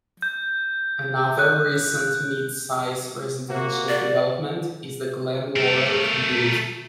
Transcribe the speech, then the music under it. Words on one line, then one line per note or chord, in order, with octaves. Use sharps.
Another recent mid-size residential development is the Glen Laurel community.
G6
F#6
A#3 F#4
D5
A3 A#4